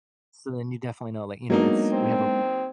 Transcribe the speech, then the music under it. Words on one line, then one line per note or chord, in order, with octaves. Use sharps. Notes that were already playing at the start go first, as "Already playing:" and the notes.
So then you definitely know, like, you know, it's we have a
F#3 G#3 A#3 B3 D4 D#4
C4